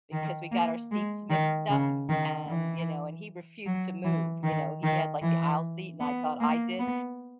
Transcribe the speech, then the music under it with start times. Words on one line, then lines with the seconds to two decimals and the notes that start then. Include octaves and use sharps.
because we got our seats mixed up and, you know, and he refused to move, you know, he had, like, the aisle seat and I thought I did.
0.13 D#3
0.52 A#3
0.91 G#3
1.30 D#3
1.70 C#3
2.09 D#3
2.47 E3
3.66 F#3
4.04 E3
4.43 D#3
4.83 D#3
5.22 E3
6.00 B3
6.40 A#3
6.79 B3